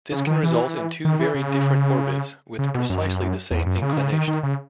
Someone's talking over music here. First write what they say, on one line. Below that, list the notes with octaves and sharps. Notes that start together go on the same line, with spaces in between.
This can result in two very different orbits with precisely the same inclination.
C#3
D#3
E3
D#3
E3
C#3
C#3
B2
F#2
E2
F#2
C#3
D#3
C#3
D#3
D#3
C#3